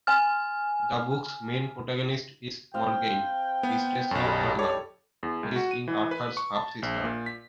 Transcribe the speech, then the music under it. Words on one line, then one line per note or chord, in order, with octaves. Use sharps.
The book's main protagonist is Morgaine, priestess of Avalon, who is King Arthur's half-sister.
G#5 F6
C4 F5 G5
B3
B1 F#2 B4 C#5
G3 A4 D#5
G4 A4 C#5 D5
E2
C#2
F#4
D#7
E3
B4
C#6
A5
A#1
A#2
B6